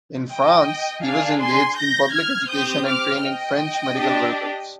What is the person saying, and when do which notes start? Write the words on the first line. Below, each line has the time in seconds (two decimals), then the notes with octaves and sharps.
In France he was engaged in public education and training French medical workers.
0.31 D#5 G5
1.03 D4 G#4 F5 G#5
1.40 G#5 C6
1.76 G6 A#6
2.12 F6 G#6
2.49 C4 G4 D#6 G6
2.85 D6 F6
3.22 D#5 G5
3.95 D4 G4